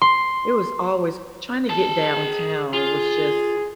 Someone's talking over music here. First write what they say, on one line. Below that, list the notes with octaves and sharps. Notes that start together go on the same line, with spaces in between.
it was always trying to get downtown was just
C6
G#4 A5
F4 G#4